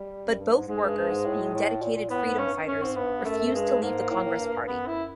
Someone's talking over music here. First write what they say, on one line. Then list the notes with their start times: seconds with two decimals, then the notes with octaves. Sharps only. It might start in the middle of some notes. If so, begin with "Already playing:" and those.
But both workers, being dedicated freedom fighters, refused to leave the Congress Party.
Already playing: G3
0.26 F#2
0.39 G2
0.54 G#2
0.67 G#2 G#3
0.82 G2
0.97 G2
1.11 G#2
1.25 A2
1.54 A2
1.82 A#2
1.96 A#2
2.10 A2 B3
2.25 G#2
2.39 G2 C#4
2.54 G2
2.68 F#2 C#4
2.82 G#2 C4
2.96 G2 B3
3.25 F#2 A3
3.54 G2 G#3
3.81 G#2 A#3
4.10 A2
4.24 A2
4.38 G2
4.54 G2
4.67 F#2 B3
4.87 E4